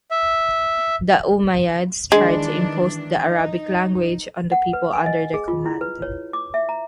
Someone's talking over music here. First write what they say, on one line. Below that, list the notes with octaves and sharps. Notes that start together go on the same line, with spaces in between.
The Umayyads tried to impose the Arabic language on the people under their command.
E5
D#3 E3 G#3 D4
D#4
F#5
B4
G#5
D#5
G#4
F4
E4
B4
C#5
D6
E5
A#5